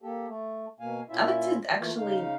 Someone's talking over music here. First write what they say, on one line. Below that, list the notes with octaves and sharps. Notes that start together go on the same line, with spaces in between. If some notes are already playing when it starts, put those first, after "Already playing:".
I like to actually
A#3 G4 A4
A3
B2 A#3 F5 G#5
A#2 C#4 E4 F4 E5
E3 A3 A#3 F4
C#3 D#4 F5